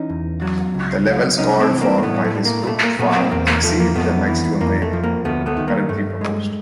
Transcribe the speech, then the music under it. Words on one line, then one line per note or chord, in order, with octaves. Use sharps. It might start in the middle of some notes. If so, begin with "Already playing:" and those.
The levels called for by this group far exceed the maximum rate currently proposed.
Already playing: E3 C#4 D#4
E2
F#3
C#2
F#3
C2 C#4 D#4
C4 D4
E3
A#3 C4
A#3
A2 A3 B3
A3
A3
A#3
A#2 A3
A#3
A#2 A3 B3
A#3 C4
E2 A#3 C4
A#3
F3 A3
A#3
F2 A3 B3
E3
F2 A#3
A3
F3
A#3
D2 A3 B3
A3 B3
D#3
A#3
G2 A3
G#3